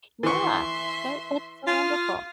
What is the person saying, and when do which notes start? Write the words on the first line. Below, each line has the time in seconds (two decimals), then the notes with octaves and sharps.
Yeah, that that's so wonderful.
0.23 E3 E5 C6 C#6
1.67 F4 D#6 F6